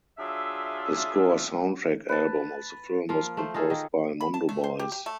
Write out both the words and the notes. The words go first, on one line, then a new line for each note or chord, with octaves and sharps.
The score soundtrack album of the film was composed by Mondo Boys.
F#3 D4 F4 G#4 E5
B4 A5
F3 A#3 F4
A3 C5
D#4 F4 G#4 A4
D#3 D#4
B5
A5
A3
C5
G4
G4
A3